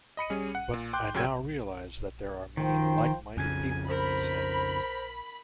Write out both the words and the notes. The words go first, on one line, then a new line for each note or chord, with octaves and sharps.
But I now realize that there are many like-minded people, he said.
D#5 B5 C#7 D#7
G3 C#4 G#4
F#5
A#2
G5 C6 D6 F#6 G6
F#2 C#3 F#4 G5 E6 G#6
D#3 F3 C5 G5
F2 C#3 G#5
A#4 C5 B5